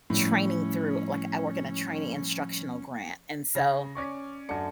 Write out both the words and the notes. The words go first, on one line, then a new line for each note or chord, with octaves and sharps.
training through like, I work in a training instructional grant, and so,
A2 F3 G3 C#4
C#3 A#6
C#4 D5 C#6
F#2 D3 C#7